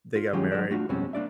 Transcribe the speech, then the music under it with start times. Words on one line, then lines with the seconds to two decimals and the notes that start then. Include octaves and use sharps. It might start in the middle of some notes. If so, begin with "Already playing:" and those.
they got married.
0.16 F4
0.33 D#3 F#3 G#3 C#4 F4 G4
0.51 F#3 D4 G#4 A4 D5
0.71 A3 D4 F4 F#4
0.89 F2 B2 G3 G#3 C4 C#4
1.13 A#3 D4 D5 E5